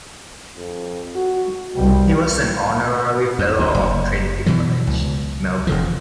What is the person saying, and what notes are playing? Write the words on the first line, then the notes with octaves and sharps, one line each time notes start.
He was an honorary fellow of Trinity College, Melbourne.
F2
F#4
C2 B2 G3
F2
D2
F#1
B2 E3 F#3
C#2
E1 C#3 F3